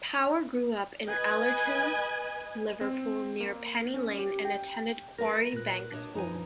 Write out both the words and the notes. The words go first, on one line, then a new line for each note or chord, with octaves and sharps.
Power grew up in Allerton, Liverpool near Penny Lane and attended Quarry Bank School.
B4 D#5 G#5
C4
A#3
C#4
G4
G5
A#4 B4 A#6
A#2 F#6
D4 C#5 D#5
F#2 F3 D#4 B4 G#5